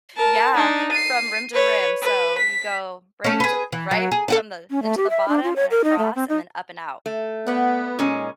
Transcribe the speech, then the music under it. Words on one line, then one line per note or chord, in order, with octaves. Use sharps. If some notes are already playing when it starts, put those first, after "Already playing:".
Yeah. From rim to rim, so you go right into th right from the into the bottom and across and then up and out.
A#4 A5
D4 D#4
C7 D#7
B4 C#5
B4
B6
A3 C#4
G#4 B4
E3
F#3
G#4
D4 F#4 A4
C#4
A3
G4
E5
D4
F4
C#5
A#4
D#4
A3
C4
D#4
A3
B3 D5 F#5
A#2 G#3 C#4 D#4 G#5